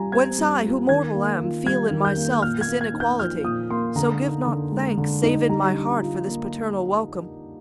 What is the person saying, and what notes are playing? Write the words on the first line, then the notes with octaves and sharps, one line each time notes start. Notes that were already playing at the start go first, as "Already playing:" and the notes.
Whence I, who mortal am, feel in myself This inequality; so give not thanks, Save in my heart, for this paternal welcome.
Already playing: G3 F4 G#5 A#5
C4 G#6
G3
F4
D#3 G#6
A#3
F4
G3 G#6
D#3
G6
A#3
A#2 F6
G#6
A#3
G#6
D#4
G6
F3 F6
A#2 D#6
A#3 C6
D3 A#5
D#4
D3
G#3
D3
D#4
G3 A#5
D4
F4
A#3